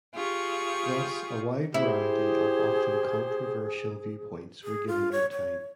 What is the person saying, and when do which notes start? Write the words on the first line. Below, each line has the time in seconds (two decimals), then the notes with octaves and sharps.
Thus a wide variety of often controversial viewpoints were given air-time.
0.15 F4 G4 G#4 C#6
1.74 E4 G4 G#4 C5
4.64 G#4
4.88 F4
5.12 C#5
5.32 C#5